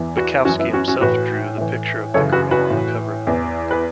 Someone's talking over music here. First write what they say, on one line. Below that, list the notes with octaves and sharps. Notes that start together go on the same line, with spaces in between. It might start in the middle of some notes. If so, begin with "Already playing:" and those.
Bukowski himself drew the picture of the girl on the cover of the book.
Already playing: E2 E3
F#4 B4
F#2 E3 C#4 F#4
B3 E4
C#4 F#4
C#4 F#4
A2 E3 F#4 B4
A2 E3
F#2 C#3 E3 A4 C#5
F#4 B4
F#4 B4
A2 E3
E2 E3
B4